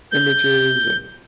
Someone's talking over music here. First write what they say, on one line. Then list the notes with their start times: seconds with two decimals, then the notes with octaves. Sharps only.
images and
0.12 G6